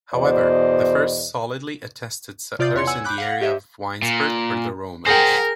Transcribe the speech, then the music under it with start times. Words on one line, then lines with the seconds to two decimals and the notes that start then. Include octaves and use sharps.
However, the first solidly attested settlers in the area of Weinsberg were the Romans.
0.14 E2 B2 C5 D5 D#5
2.59 C3 F4 D5 D#6 G6 A6
2.74 E2 C#5 C6 C#7
2.87 F#5 G#5 E6 G#6
3.04 B5 D6 F#6 G6
3.18 F5 F#5 A#6
3.41 G4 C#5 D#5 E5
4.02 A#2
5.06 G#4 A#4 C5 F#5 G5 A#6